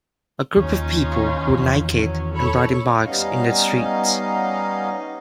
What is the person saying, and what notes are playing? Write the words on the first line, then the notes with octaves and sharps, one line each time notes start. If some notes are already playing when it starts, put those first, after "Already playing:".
A group of people who are naked and riding bikes in the streets.
D#2 C#4 D#4 F4
E2 D#3 E3
F#3 C#4
A4 C#5 B5
G3 B3 C#4 D#4 D#5 F5